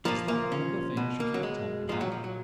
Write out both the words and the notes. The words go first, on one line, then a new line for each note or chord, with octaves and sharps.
"Is that one of the things you can't tell me about?"
A#2 F3 A#3
A#3
C#4
B2
A#3
F#3
G#3
A#2 F3 G#3
F#3
F3
F#3